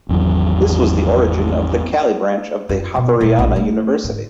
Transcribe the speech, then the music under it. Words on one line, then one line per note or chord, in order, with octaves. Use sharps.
This was the origin of the Cali branch of the Javeriana University.
G#1 E2 F#3
F#2 F4
B2
A#2 G#3
A#1
A3
G#2 D3